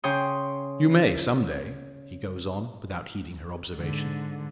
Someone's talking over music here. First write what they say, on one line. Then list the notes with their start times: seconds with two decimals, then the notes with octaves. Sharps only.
"You may some day," he goes on, without heeding her observation.
0.04 C#3 G5 C6 C#6 D#6
3.75 G#2 D3